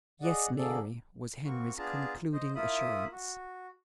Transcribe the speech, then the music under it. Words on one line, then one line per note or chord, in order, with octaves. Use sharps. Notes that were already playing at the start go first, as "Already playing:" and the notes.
"Yes, Mary," was Henry's concluding assurance.
G#4 D5 D#5 F#5
D3 A#3 G#4 A4 D5
A#3 C4 F#4 C#6
B3 D4 F4 G#4 A5 A#5
C5 D#5
A#3 E4 F4 E5 B5 D#6
F#4